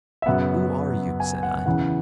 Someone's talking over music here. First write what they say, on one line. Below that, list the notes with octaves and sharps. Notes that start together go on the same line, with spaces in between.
"Who are you?" said I.
E5
F#2 C#3 F#3 B3 F#5
G#5
F#5
E2 C#3 E3 F#5